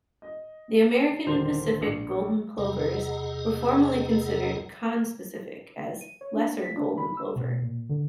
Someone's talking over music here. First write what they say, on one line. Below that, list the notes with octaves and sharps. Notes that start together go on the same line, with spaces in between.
The American and Pacific golden plovers were formerly considered conspecific as "lesser golden plover".
D#5
D#1 D3 G4 A#4 C5 F7
A#1 C#7
E2 C3 G#4 D#5 F#5 A#5
D#7
C#5
D4
B6
D4
B5
E6
B2
A#2
D3